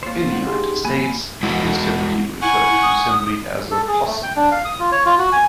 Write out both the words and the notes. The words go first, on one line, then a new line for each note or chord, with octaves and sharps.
In the United States, it is typically referred to simply as a possum.
A#3 F4 C5 C#5
C#4 D#4 F#5
G4 G#4 C6
F#3 A#3 F4 G#5 B5
G#3 E4 F#4
E4 F#5 G#5 C#6
D#6
A4
G#4
A3
G5
D4
F5
D#6
F4
C#5
F4
F#4
G#5